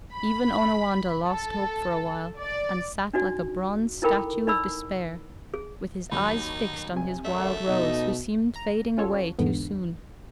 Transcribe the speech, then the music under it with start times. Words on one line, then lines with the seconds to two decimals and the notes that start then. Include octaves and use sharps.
Even Onawandah lost hope for a while, and sat like a bronze statue of despair, with his eyes fixed on his Wild Rose, who seemed fading away too soon.
0.14 B5
1.25 A4
2.39 D5
3.13 D4 D#4 F#4 D5
4.02 D#4 E4 A4 A#4 G5 B5
4.47 D#4 D5 B5 E6
5.54 G#4
6.11 D#2 F#3 D#4 B5
6.94 F#1 C3 G#5
7.25 F#2 D3 A3 E5
7.68 B2 D#4 D#5
8.56 A#5
8.98 C#4 F4 A4 C#5
9.39 E2 G#2 D3 B3